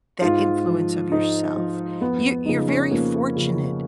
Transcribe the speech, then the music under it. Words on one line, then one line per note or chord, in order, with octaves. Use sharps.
that influence of yourself. You you're fortunate
G#2 F4
F3
G#2 D#4
F3
F2 B3
C#3 F3 D#4
C#4
F2 A#3
C#3 F3